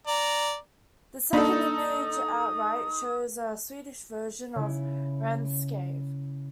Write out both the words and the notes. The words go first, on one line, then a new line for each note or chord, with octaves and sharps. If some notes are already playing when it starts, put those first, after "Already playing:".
The second image at right shows a Swedish version of "renskav".
D5 A#5
A#3 D4 D#4 A4 B5 D#6
C#3 E4